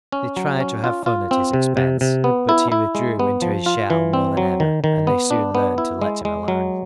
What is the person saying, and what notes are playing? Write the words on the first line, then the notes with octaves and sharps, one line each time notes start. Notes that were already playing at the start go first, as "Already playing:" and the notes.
They tried to have fun at his expense, but he withdrew into his shell more than ever, and they soon learned to let him alone.
C#4
F#3
C#4
F4
F4
C4
C3
C3
C3
B3
E4
E4
G#3
B3
F3
F4
E3
C4
F#3
D#3
D#3
B3
D4
B3
E4
G#3
G#3
F#3